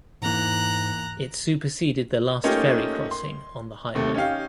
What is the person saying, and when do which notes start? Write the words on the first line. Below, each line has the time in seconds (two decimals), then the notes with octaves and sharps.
It superseded the last ferry crossing on the highway.
0.22 E2 G#2 E3 A#3 A#5 F#6
2.44 A3 A#3 C#4 D#4 F4 G4
3.11 C6
3.95 D#2 C3 A3
4.15 C#4 D#4 G4 F5